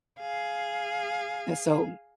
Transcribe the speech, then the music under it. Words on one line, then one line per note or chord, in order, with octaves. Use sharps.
uh so,
G#4 F5